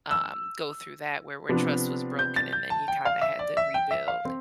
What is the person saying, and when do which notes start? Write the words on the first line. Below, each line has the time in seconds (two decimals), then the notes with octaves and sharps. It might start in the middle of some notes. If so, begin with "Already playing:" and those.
um, go through that where where trust was broken and then you kinda had to rebuild?
0.11 E6
1.49 C3 F3 B3 D4
2.19 G6
2.36 A6
2.53 G6
2.70 A5
2.88 G5
3.05 F5
3.21 E5
3.39 D5
3.57 E5
3.74 G5
3.91 E5
4.08 F5
4.25 C4